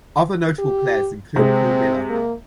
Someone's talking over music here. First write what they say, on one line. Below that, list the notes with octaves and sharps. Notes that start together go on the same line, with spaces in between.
Other notable players include Paul Miller.
G4
C3 G#3 C4
A#3